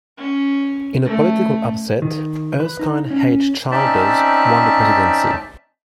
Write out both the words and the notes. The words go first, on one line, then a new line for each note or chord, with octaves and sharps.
In a political upset, Erskine H. Childers won the presidency.
C#4
A3
D#3
B4
D#4
C#4
C4 C#4 D#4 D5 E5 A5